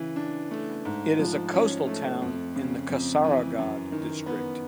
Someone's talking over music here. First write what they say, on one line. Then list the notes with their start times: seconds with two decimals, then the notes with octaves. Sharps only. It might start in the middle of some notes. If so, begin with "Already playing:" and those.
It is a coastal town in Kasaragod district.
Already playing: C#3 E3
0.16 D4
0.51 A3
0.85 G#2
1.19 F3
1.53 C#4
1.87 A3
2.22 F2
2.56 C#3
2.89 F2
3.24 E3
3.58 F#2
3.92 D#3
4.26 B3